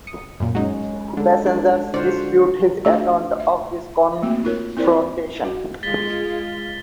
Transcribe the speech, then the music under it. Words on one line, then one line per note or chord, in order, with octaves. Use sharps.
Passengers dispute his account of this confrontation.
D#6 C#7
F#2 A#2
F#3 G#3 C#4 D#4
D3 G#3 A4
D4
D3 F4 F#4 C5 D5 F#5
A3 D4 F4 F#4 G#4
E5
A3 A#3 C4 F#4
D#4 F4 A#4 C#5
C4 E4 A#4 C5 D5
F#4
G#3 F4 A6 B6 G7